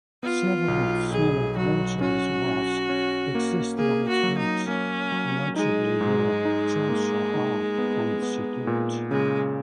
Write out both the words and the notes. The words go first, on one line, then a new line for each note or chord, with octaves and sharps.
Several small water reservoirs exist along its route, notably near Tal Shahar and Yesodot.
B3 F4
B1
B1 G#4
F#3 F#4
C#4 F#4
C#4
C#4
A#3
A#3 G#4
F#4
F#3
D#4
A#3 C#4
F#3
G#3 D#4
G#2
D#4
A#3
D#4
B3
B3
A#2
C#3 G#3